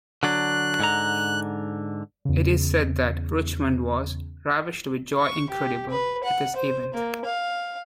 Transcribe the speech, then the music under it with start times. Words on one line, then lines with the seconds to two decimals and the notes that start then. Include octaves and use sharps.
It is said that Richmond was "ravished with joy incredible" at this event.
0.23 D3 F#3 D4 F#6
0.80 G#2 D3 A#5
2.25 E2 C#3
5.19 C#6
5.50 G4
5.90 B4
6.24 F#5
6.56 C5
6.94 A#3
7.25 F5